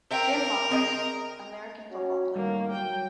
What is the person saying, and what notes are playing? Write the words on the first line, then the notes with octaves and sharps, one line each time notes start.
Jim Lankas, American football player.
A#4 C5 E5 G5
C4 G#4 D#5
C#4 F#4
A2 D#3 G3 A#3
F#3 G5